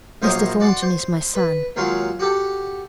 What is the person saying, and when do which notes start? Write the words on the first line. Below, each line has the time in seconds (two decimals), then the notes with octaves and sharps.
Mr. Thornton is my son.
0.22 A#1 F#2 F4 C5 C#5 D#5
0.60 F#4 D5 F#5 C6
0.82 C5
1.35 B4
1.76 D#2 F#3 G#3 F4 C#5 C6
2.19 F#4 G4 A4